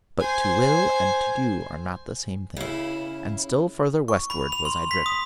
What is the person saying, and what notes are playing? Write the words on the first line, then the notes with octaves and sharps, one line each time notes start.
But to will and to do are not the same thing, and still further Westward was I driven.
C5 G#5
C#3 E4
C#6
B5
F7
C6
B6
D#6